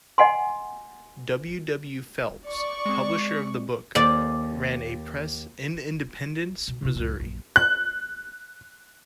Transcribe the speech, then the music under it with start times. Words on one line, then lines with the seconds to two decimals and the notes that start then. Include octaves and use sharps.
W. W. Phelps publisher of the book, ran a press in Independence, Missouri.
0.18 D#5 F#5 G#5 C6
2.46 D5 C#6
2.85 G#3 C4
3.95 D#2 D5
6.68 B2
6.82 C3 E4
6.95 C#2 F#2
7.20 A#1 F#2
7.56 F#6